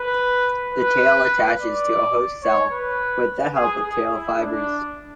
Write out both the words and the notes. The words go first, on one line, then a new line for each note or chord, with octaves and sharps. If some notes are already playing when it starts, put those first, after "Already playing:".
The tail attaches to a host cell with the help of tail fibres.
Already playing: B4
B4
D5
C#5
B4
G#4
G#4
E4
D4